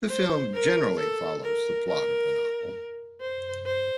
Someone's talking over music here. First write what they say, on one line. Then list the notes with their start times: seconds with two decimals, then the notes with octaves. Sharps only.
The film generally follows the plot of the novel.
0.09 C5
0.53 A#4
0.98 A4
1.43 A#4
1.87 A#4
3.21 C5
3.66 C5